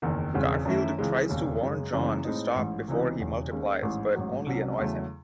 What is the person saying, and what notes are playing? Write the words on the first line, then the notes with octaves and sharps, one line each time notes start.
Garfield tries to warn Jon to stop before he multiplies, but only annoys him.
F#1 E2 D#3
E1 E2 C#3 G#3 C4
F#2 D#3 A3 C#4 E4
C#2 C#3 E3 G#3 C4
E1 D#2 C#3
F#2 C#3 G#3
F#1 F#2 C#3 E3 G#3
A2 G#3 C4 D#4
A1 G#2 E3
C#2 C3 E3 C4 D#4
E1 E2 C#3
D#2 D#3 G#3 C#4
A1 G#2 E3
A1 G#2 F#3
C2 C3 F#3 C#4
E2 C#3 F#3 A3